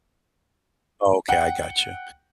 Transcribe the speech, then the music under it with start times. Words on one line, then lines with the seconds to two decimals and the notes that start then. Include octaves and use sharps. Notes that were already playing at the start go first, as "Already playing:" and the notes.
Okay, I gotcha,
1.29 F#5 G5